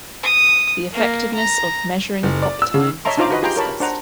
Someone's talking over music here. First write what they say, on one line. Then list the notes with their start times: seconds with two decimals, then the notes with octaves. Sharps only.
The effectiveness of measuring pop time has been discussed.
0.23 D#6
0.93 A#3
1.35 A#5
2.23 F#1
2.42 D5
2.62 E6
2.74 C#3
3.05 C#5 D#5 E5 A5 A#5 C6
3.17 D4 D#4 F4 C5 A#5 D6
3.31 F#4 B4 D#5
3.42 F4 G4 G#4 G5 A#5 C6
3.56 A#4 C#5 A5 B5
3.80 D4 C5 F#5 A#5